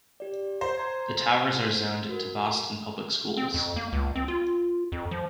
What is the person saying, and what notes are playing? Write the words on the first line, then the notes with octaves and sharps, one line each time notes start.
The towers are zoned to Boston Public Schools.
G4 D5
C5
A#5 G#6
A#6
F#4 A#4
C4
F2
A#3
C#2
C4
F4
F2
F3